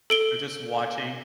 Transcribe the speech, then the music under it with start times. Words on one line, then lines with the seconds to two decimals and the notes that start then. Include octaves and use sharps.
They're just watching
0.10 A4 D7 G7